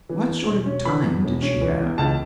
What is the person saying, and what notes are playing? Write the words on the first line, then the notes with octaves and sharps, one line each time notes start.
What sort of time did she have?
E3
E2
E1
C#4
E3 B5
E2
E1
C#4
E3
E2
C#2 A5